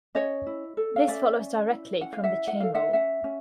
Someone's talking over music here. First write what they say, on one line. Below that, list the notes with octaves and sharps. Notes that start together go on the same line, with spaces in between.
This follows directly from the chain rule.
C#4 C#5 D#5
E4
A4
F5
C#4 D5 E5
C#4
E4
C#4 F#5
F5
E5 F#5
E4
F#5
A4 F5
E5 F#5
C#4 E5 F#5
C#4